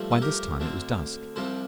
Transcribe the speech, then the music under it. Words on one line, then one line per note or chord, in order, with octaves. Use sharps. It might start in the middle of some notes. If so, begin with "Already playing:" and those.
By this time it was dusk.
Already playing: G2 F3 A3 C4
A4
G4 A#4
D2 D3 A3 C4
C2 C3 F3 C4 A4 C5